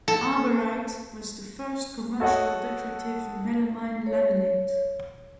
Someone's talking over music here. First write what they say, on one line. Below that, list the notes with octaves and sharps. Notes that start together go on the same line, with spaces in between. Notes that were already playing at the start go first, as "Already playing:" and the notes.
Arborite was the first commercial decorative melamine laminate.
A4
F#4 A4 C#5 D#5 F#5
C#5